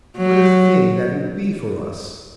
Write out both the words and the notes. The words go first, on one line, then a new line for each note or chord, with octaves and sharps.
'What a thing that would be for us!'
F#3